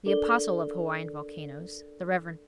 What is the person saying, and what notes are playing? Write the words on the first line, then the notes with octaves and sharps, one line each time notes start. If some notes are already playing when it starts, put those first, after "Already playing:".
The Apostle of Hawaiian volcanoes, the Rev.
D4 A4 A#4 D5 G7